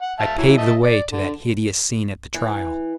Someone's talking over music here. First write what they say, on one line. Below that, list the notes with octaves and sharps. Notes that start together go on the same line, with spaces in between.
I paved the way to that hideous scene at the trial.
F#5
E5 F5 A5
E3 F#3 E4
D#5 E5 A5
D5
D3
E3